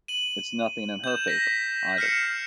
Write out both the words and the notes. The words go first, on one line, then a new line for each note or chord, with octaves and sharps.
It’s nothing in her favour, either.
D#7 F#7
G6 E7
A#6 B6
F6 G6 C7 C#7 E7